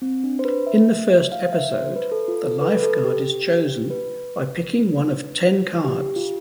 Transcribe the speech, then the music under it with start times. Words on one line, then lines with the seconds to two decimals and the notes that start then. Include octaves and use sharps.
In the first episode, the Lifeguard is chosen by picking one of ten cards.
0.02 C4
0.24 D4
0.39 C5
0.45 B4
0.67 E5
1.32 F5
1.53 E5
1.74 C5
1.96 B4
2.12 A4
2.28 F4
2.44 A4
2.61 B4
2.77 B4
2.83 A4
3.04 G4
3.90 B4
5.84 G4
6.00 G4
6.16 F4